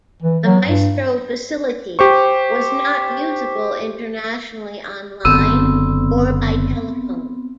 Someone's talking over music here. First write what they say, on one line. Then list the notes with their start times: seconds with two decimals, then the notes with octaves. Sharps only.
The Maestro facility was not usable internationally online or by telephone.
0.23 E3
0.44 F#3
0.66 G2
1.99 G4 C5 C#6
5.25 F#1 D3 B3 C4 E6